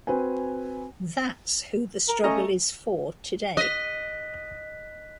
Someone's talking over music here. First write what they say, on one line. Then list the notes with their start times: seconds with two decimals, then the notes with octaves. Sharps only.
That's who the struggle is for today.
0.07 C4 F#4 B4 C5 G#5
2.08 A#4
2.24 A3 C#4 D#5 A#5
3.57 D#5 F#6 B6